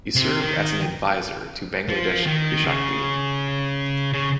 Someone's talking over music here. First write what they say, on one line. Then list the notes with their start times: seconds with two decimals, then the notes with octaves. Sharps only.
He served as an advisor to Bangladesh Krishak League.
0.16 C3
0.41 D#3
1.89 F3
2.26 D#3
2.64 C#3
4.13 C#3